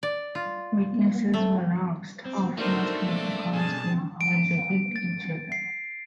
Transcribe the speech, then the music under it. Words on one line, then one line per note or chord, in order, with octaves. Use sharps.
Witnesses were asked How fast were the cars going when they hit each other?
D5
F4
A3
C4
A3 C4 D4 D#4 F#4 A#4 C5
G#3 A#3 D6
B2 G#4 A4 G#5 A5
D7
A6
C7